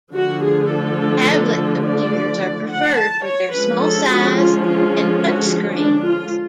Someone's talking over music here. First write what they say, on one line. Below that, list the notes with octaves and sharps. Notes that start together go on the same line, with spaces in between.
Tablet computers are preferred for their small size and touchscreens.
D3 F3 A3 F#4
G#4
A4
D5
F#5
A5
C#5
D3 F3 G#3 C#4 B4
A4
F#4
F4
F4
F4
F#4
D4
F4